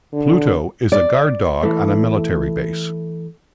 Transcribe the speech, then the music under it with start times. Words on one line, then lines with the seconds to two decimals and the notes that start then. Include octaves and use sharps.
Pluto is a guard dog on a military base.
0.13 D3
0.92 D5
1.63 E3 A3